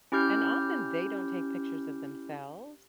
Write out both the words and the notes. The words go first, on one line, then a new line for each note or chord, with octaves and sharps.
And often they don't take pictures of themselves,
C#4 E4 G4 F6 G6